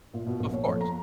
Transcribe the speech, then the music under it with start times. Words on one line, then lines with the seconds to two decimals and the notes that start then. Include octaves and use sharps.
Of course.
0.13 A#2
0.26 B2
0.40 A#1
0.53 C#5
0.66 F2
0.81 A#5